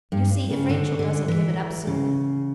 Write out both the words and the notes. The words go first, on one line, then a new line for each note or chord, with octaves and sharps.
You see if Rachel doesn't give it up soon.
G2
C#3
D3
D3
E3
C#3